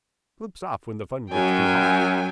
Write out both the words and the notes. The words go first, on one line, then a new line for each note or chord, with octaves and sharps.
Slips off when the fun gets too hot.
F#2 F#3 G5 G#5